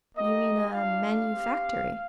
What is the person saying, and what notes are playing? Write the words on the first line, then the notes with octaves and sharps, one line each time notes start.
You mean a manufactory.
A#3 D#4 G4 D#5
G3 D4 F4 F5
C4 G4